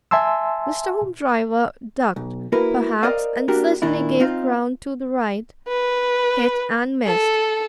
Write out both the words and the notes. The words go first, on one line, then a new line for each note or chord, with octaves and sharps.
Mr. Hoopdriver ducked perhaps and certainly gave ground to the right, hit, and missed.
E5 G#5 A5 C6 E6
B1
A#3 E4 F#4 A#4 B4
A#4 C5 D5 D#5 F5
A#3 D4 F#4 G4 A#4
A#2 D#3 D4 E4
C4 D#4 F4
B4
A4